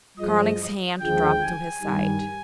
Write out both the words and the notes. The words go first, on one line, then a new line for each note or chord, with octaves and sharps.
Carling's hand dropped to his side.
G2 F3 G#3 D#5
D#2 D3 F3 G#3 G5
G#5
G2 D#3 G3